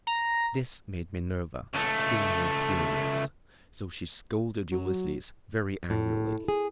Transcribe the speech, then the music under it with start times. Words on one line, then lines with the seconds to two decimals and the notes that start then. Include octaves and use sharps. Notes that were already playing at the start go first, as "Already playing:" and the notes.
This made Minerva still more furious, so she scolded Ulysses very angrily.
0.07 A#5
1.74 C#2 A3
4.72 F#3
5.90 A2
6.48 G#4